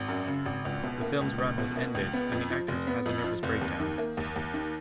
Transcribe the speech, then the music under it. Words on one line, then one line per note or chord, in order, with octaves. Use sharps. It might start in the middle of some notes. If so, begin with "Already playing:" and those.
The film's run was ended and the actress has a nervous breakdown.
Already playing: G#1
F#2
C#3
G#1
C#2
B2
A#3
C#2
C#2
B2
A#3
C#2
B3
F2
F3
F1
B3
F2
F3
F1
D#2
D#3
A#3
D#2
D#2
D#3